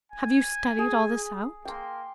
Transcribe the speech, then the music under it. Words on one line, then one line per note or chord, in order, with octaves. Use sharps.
"Have you studied all this out?"
G#5
G#4
A#3 G5 C6